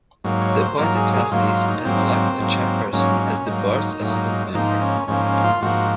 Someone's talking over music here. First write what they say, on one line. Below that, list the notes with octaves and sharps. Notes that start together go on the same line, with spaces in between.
The appointed trustees then elect a chairperson as the Board's eleventh member.
G#2 F#3 A#3
C#5
C5
G#2 F#3 A#3 A#4
G#4
G#4
G#2 F#3 A#3 F4
F4
D#4
G#2 F#3 A#3 C4
G#2 F#3 A#3
G#2 F#3 A#3 C#4
C#4
G#2 F#3 A#3 D#4
G#2 F#3 A#3
G#2 F3 A#3 D#4
C#4
G#2 F3 A#3 C#4
C#4
F4
G#2 F3 A#3 F#4